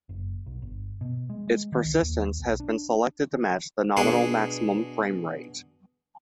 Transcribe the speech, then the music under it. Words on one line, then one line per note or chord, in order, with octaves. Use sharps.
Its persistence had been selected to match the nominal maximum frame rate.
F#1
B1
G1
B2
G#3
G#3
D#3
C2
D#2
B1
D4
B2 D4 G#4